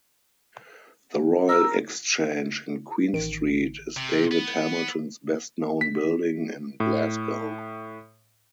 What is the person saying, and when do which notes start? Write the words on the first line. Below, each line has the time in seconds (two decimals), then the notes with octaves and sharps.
The Royal Exchange in Queen Street is David Hamilton's best known building in Glasgow.
1.49 A#4 E6
3.14 A1 D#3 D7
3.97 C3
4.31 B3
5.81 B6
6.80 A2